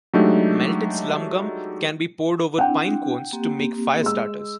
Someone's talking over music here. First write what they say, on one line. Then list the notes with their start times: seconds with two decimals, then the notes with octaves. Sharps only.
Melted slumgum can be poured over pine cones to make fire starters.
0.14 F#3 G#3 A3 D4 D#4 G4
2.58 C4 D4 E4 F#5 G5
3.33 A#3 C4 G4
4.02 G#3 E6